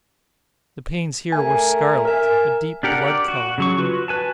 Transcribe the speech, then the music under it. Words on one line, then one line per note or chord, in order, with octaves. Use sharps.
The panes here were scarlet--a deep blood color.
A3 A#4 G#5
A#4 E5 G#5
D4 G4 A#4 F#5
D5
F#4
C#3 F#3 C#6
F4 F#4 B4
B4 G#5 A5